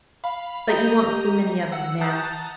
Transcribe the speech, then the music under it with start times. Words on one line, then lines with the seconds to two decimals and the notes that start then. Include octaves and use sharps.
But you won't see many of them now.
0.24 F5 B5
0.68 G4 D#5 A#5 G6
1.72 F#5 E6
2.01 A5 A#5 D#6 F#6 G6 A6